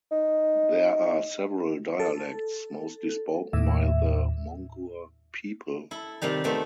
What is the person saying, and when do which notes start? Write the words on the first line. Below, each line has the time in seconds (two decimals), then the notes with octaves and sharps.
There are several dialects, mostly spoken by the Monguor people.
0.12 D#4
2.00 A4
3.53 D#2 A2 E5
5.91 E4 A4
6.22 C3 D#3 G3 D#4
6.44 D#3 A3 B3 C4